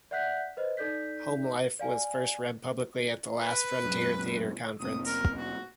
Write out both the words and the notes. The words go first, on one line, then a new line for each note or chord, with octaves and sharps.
"Homelife" was first read publicly at the Last Frontier Theatre Conference.
D5 E5 F#5 F#6 G6 B6
B4 C5 D#5
D#4 A4 D5 G6 B6
D5 F5 G#5
B4
F#2 A#2
F1 A#3 C4 D#6
A#4
F#4